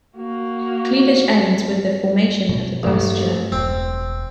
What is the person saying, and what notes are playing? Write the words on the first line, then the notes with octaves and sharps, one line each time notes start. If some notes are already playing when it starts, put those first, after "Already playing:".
Cleavage ends with the formation of the blastula.
A#3 F#4
B2
A1 G2 F#3 G#3
E1 C4